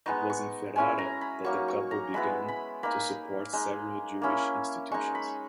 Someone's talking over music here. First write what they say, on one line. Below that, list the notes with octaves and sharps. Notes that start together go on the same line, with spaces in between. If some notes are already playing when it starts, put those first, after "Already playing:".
It was in Ferrara that the couple began to support several Jewish institutions.
G#3 B3 D#4 C#6
C#6
G#3 C#4 E4 G#5
A#5
B5
F#3 A#3 D#4 C#6
C#6
A#5
G#3 B3 E4 B5
B5
A#3 D#4 B5
G#3 D#4
A#3 C#4 E4
G#3 D#4 C#6
B5